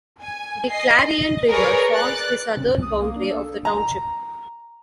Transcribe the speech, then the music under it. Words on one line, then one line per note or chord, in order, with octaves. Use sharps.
The Clarion River forms the southern boundary of the township.
G#5
D#5 C7
D#5
G#4 A#4 B4 C#5 D5
D5 F#6 A6
C3 C#4
F2
C2 D#6
A#3
D4
A4
A#5